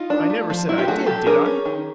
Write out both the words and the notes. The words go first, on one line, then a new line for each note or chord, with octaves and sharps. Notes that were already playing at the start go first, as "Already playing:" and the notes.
I never said I did, did I?
Already playing: D#4 F4
D4
A3
F3
F#3 E4
F4 G4
A3 F#4 G#4
F#3 G4 A4
D4 G#4 A#4
C#4
D#3